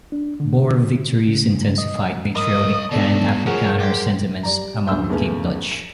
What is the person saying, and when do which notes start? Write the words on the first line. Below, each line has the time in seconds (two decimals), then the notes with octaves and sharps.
Boer victories intensified patriotic pan-Afrikaner sentiments among the Cape Dutch.
0.12 D4
0.40 D3
1.27 C#3
1.78 D#5
2.35 A#4 C#5 D#5 D#6
2.92 B2 F#3 D4 A4 D5 A5
3.46 C#3 F3 G#4 A#4 C#5 F#5
3.80 G4 C5
4.43 G3 D5 A#5
4.87 D2 G2 E6 G6
5.09 D#2 C#3 A3 B3 C#4
5.71 E7